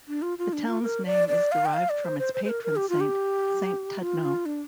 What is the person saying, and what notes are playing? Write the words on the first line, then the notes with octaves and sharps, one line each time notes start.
The town's name is derived from its patron saint, Saint Tudno.
D4
F4
F4
D4
F4
A#4
D5
D5
F5
G5
F5
D5
C5
C5
C5
C5
A#4
A#4
G4
F4
G4
F4
D4